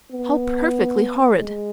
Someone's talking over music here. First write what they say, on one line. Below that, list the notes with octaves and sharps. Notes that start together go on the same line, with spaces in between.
How perfectly horrid!
B3
G#3